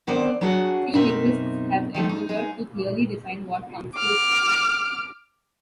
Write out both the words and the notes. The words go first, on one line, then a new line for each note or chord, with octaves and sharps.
Few linguists have endeavored to clearly define what constitutes slang.
D3 D#3 B3 C4 C5 D5
F#3 D4 E4 F#4 G#4 F#5
F#2 B2 C4 D#4 A#4 E5
D#3 F3 A3 D#4
D#4
G#3 D#4 G#4
D6 F6